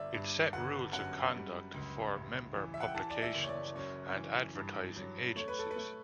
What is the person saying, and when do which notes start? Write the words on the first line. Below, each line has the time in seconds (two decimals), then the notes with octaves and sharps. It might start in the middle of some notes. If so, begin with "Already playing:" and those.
It set rules of conduct for member publications and advertising agencies.
Already playing: G1 D5 E5
0.14 G2
0.53 G1 F#5
0.93 F#2 F#5
1.34 G3
1.74 C#2
2.15 A1
2.55 E3
2.74 E5
2.80 F#5
2.88 G5
2.94 E3 A5
3.10 D5
3.22 E5
3.35 F#1
3.43 C#5
3.49 D5
3.75 F#2 C#5
4.15 E3
4.55 G2
4.96 F#3
5.36 A3 C#5
5.48 B4
5.59 A4
5.71 B4
5.76 A3